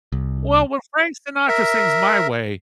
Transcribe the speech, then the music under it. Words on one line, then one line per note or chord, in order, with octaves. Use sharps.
Well, when Frank Sinatra sings "My Way,"
C2
A#4 E5